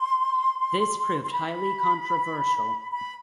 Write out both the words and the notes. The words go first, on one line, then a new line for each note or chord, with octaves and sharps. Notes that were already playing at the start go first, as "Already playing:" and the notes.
This proved highly controversial.
Already playing: C6
C6
B5
B5